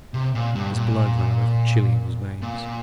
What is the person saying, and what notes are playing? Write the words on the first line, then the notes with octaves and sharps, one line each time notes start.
His blood ran a little chilly in his veins.
C3
A#2
G2
A#2
A#2